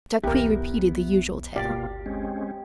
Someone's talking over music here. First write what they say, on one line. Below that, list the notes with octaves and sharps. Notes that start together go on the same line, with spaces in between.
Jacques repeated the usual tale.
B1 E2 B3 E4 G4 A#4
G1 D2 B2 A#3 F4 G4 D5
G#3 C4 C#4